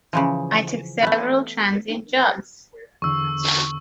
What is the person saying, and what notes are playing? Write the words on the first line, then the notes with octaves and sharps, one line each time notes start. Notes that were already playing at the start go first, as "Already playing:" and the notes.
I took several transient jobs.
C#3 E3 F3
A3 B3
E2 D3 C#6 E6